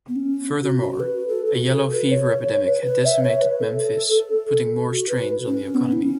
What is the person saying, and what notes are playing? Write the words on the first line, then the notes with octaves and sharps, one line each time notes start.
Furthermore, a Yellow Fever epidemic had decimated Memphis, putting more strains on the economy.
B3
C#4
F#4
F#4
B4
A4
A4
F#4
A4
B4
C#5
B4
B4
E5
C#5
B4
A4
F#4
B4
C#4
B3
E4
C#4